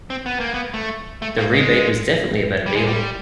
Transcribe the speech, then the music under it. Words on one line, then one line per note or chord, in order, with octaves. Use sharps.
The rebate was definitely a better deal.
C4
B3
A#3
B3
A3
A3
A#3
G#3
G3
G#3
G3